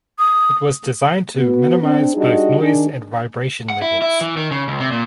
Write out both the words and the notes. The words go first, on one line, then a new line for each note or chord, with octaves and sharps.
It was designed to minimise both noise and vibration levels.
D#6
B3 F#4
C4 D4
G3 D4 D#4 F#4 G#4 D#5
D#3 D4 G#4
F#5
E4
E4
E3
D#3
C#3
C#2
C3
A#2